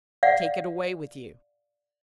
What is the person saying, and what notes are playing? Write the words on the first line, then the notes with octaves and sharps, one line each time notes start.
"Take it away with you."
D5 F5 F#5